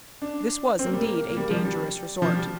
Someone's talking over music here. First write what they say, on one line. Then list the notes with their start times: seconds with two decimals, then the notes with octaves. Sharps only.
This was, indeed, a dangerous resort.
0.22 D4
0.79 C4
0.86 A#3
0.93 G3
1.01 A#3
1.30 A#3
1.37 G3
1.50 F3
1.65 G3
2.22 F3
2.35 G3